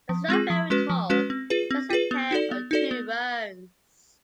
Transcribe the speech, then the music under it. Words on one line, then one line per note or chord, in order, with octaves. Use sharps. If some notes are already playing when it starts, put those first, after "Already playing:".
It's not very tall - just a pair or two rows.
F3
G#3 C4 F4 G#4
F3
G#3 C#4 F#4 B4
F3
G#3 C#4 F#4 B4
C4
F4 G#4 B4
C4
F4 G#4 B4
B3
D#4 F#4 A4 D5
B3
D#4 F#4 A4 D5
B3